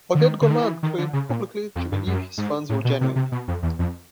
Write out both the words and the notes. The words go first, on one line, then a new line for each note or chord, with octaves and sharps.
Oded Golan claimed publicly to believe his finds were genuine.
D3
D#3
D3
D#3
E3
D#3
D3
C#3
A#2
F2
G2
F#2
G#2
A2
B2
C3
C3
B2
F2
E2
F2